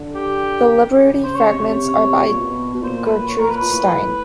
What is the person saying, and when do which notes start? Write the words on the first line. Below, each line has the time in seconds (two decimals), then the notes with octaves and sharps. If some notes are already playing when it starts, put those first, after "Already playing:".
The libretti-fragments are by Gertrude Stein.
Already playing: D3
0.15 G4
1.05 C#3
1.24 C5
1.35 C#5
1.49 C3
1.56 C#3
1.63 C3 C#5
1.94 C3
2.28 A#2
2.39 B2
2.75 B2
2.83 A#2 C5
3.05 B4
3.28 C#5
3.39 A#4
3.49 B4
3.62 A#2
3.72 A2